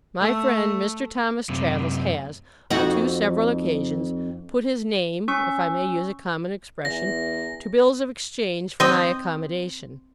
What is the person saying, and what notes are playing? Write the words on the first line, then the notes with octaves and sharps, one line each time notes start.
My friend Mr. Thomas Traddles has, on two several occasions, "put his name", if I may use a common expression, to bills of exchange for my accommodation.
A3
F#2 C3
F2 D#4 F#4
C#4 C#6 E6
E2 A#6
C4 D#5